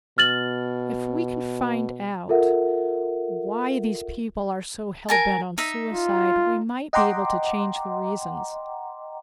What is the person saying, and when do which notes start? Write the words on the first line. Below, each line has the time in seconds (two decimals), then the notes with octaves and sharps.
If we can find out why these people are so hell-bent on suicide we might be able to change the reasons.
0.18 B2 F6 A6 F#7
2.29 F4 A4 A#4 E5 F#5
5.09 A#4 G#5 A5
5.58 D#4 E5
5.93 F4
6.93 D#5 F#5 G5 A#5 C6 D6